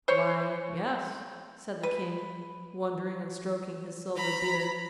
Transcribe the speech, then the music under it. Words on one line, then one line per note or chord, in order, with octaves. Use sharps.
"Why, yes," said the King, wondering and stroking his silver beard.
C5 C#5
B4
A#5 B5